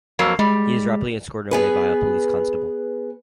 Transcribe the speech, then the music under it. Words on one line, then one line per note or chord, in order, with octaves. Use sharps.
He is rapidly escorted away by a police constable.
F2 F#3 A#3
G3 G#3
B3 G#4 B4